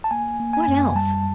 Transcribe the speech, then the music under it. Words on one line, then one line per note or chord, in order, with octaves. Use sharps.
"What else?"
A5
A#3 G#5
A#3
G#5
F#2
G3 A5